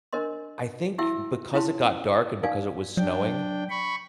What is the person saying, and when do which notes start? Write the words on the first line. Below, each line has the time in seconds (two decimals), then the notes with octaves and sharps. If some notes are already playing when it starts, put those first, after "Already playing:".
I think, because it got dark and because it was snowing,
0.13 D4 A#4 C5 D#5 C6
0.98 E4 F#4 E5 G5 E6
1.53 C#4 E4 F4 G5 A5 C6
1.85 C#4
2.43 D#4 D5 F5 G#5
2.97 F#3 D4 G5
3.70 B5 C#6